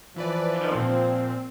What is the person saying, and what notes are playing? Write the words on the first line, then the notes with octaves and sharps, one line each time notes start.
you know
E3 F3 B4 D5
A#2 C4